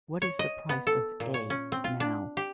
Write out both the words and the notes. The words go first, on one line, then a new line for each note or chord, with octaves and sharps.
What is the price of "A" now?
C#5
D#5
B3
A4
A#2
C#5
C#4
C4
F4
D4
G4